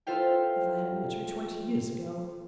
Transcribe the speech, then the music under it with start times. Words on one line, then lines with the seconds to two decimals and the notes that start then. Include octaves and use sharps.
If I had met her twenty years ago!
0.07 F4 A4 C5 E5 F5 G5